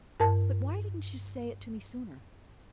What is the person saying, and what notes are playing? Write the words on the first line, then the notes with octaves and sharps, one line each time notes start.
"But why didn't you say it to me sooner?"
G2 A#4 A5